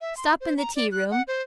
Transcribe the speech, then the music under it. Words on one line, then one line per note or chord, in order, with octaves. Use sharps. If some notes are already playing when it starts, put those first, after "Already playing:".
'Stop in the tea-room.
E5
C6
C5
A#5
D5
F#6
F#5
C5